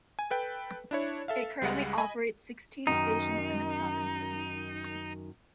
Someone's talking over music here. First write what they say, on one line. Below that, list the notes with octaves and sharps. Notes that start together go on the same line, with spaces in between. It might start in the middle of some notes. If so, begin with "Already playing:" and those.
It currently operates sixteen stations in the provinces.
G#5
A4 B4 G5
D4 E4 C#5
A4 E5 F5
C#2 G3 G#3 F#5
D#5 G#5 B5
F#2 D#3 D#4